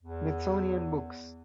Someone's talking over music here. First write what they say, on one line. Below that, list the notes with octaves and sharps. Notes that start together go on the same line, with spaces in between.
Smithsonian Books.
E2